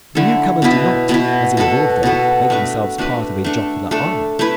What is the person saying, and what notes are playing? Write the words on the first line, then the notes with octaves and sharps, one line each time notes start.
The newcomers do not, as in Vaudeville, make themselves part of a jocular army.
D3 A3 E4 A4
B2 B3 E4
B2 B3 E4
B2 B3 F#4 A4
B2 B3 F#4 A4
A3 D4 F#4 B4
A3 D4 F#4 B4
A3 D4 A4
A3 D4 A4
A3 E4 B4